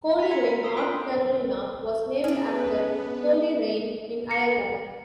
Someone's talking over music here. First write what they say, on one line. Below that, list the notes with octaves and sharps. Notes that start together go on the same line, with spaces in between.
Colerain, North Carolina, was named after Coleraine in Ireland.
G#5 A#5 C6 B6
E5 B5 G#6 C#7
A#5
A4 A#4 C6 D#6 E6
C4 F4 B5 C6 D7
B3 C#4 D4 G#4 B4
C#7